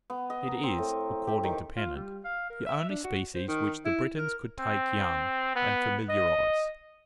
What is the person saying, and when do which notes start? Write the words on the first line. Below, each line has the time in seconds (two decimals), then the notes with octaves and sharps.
It is, according to Pennant, the only species which the Britons could take young, and familiarize.
0.10 B3
0.30 D#5
0.47 A#4
0.63 C4
0.78 A2
1.27 G4
1.43 D#3
1.77 F4
1.96 G3
2.24 F5
2.50 A#4
2.66 E5
2.89 D4
3.04 F#4
3.34 C5
3.48 D#3
3.85 E4
4.18 A#4
4.59 C4
5.55 B3
6.10 D#5